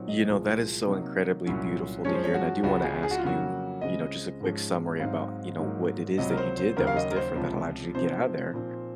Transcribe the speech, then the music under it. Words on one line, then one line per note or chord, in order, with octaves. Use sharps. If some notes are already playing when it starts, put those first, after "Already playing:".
You know, that is so incredibly beautiful to hear and I do wanna ask you, you know, just a quick summary about, you know, what it is that you did that was different that allowed you to get outta there.
Already playing: A#2 F#3 C4 D#4
D#5
C2 A#2 F3 G#3
C3 F#3 A#3 D#4
C2 A#2 F#3 C#4
F#2 F3 G#3 C#4 C#5
C5
C#5
F#4
C#2 C#3 G#3 F#4
G#4
G#4
F#4
F4
F2 C#3 F#3 A#3 F#4
C#2 C#3 G#3 C4 D#5
G#2 F3 G#3 C#4
G#2 F#3 C4 D#4 F5
G#2 F#3 A#3 D#4
C#2 C3 F#3 D#5
A#4
C5
C5
D#2 C#3 F#3 A#3 A#4
F5
D#5
A#4
C5
C#2 C3 F3
C3 F3 C4 D#4 C5
A#2 F3 C4 D#4